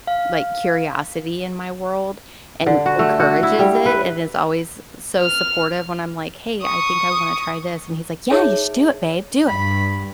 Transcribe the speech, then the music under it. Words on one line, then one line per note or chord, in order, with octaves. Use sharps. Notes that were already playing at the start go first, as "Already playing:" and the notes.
like, curiosity in my world and encourages it and is always so supportive when I'm like, "Hey, I think I wanna try this." And he's like, "Yeah. You should do it, babe. Do it."
F5
D3
F#4
A3
F#4
E4
G3
B4
F6
C#6 D#6
D#4 G#4 C#5 E5
G2 B5